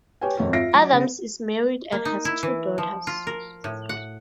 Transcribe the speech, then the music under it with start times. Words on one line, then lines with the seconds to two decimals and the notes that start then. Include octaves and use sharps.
Adams is married and has two daughters.
0.21 G4 B4 C#5 G5 G#5
0.37 G#1 F2 C#5
0.53 F4 E5 A#6 C7 D7
0.75 F#3
0.93 C#3
1.92 A#3
2.05 D#4
2.25 E4
2.43 E3
2.78 F3
3.07 F4
3.27 A#4
3.64 A2
3.89 F#5